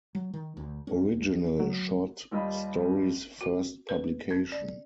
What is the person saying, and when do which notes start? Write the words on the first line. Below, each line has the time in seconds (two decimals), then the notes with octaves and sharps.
Original short stories first publication.
0.15 F#3
0.34 D#3
0.57 D2
0.87 C#4
1.12 D1
1.60 F#3
2.31 D#2 G3 F4 D#5 B5
3.41 F#4
3.89 B4
4.31 C#4
4.52 D5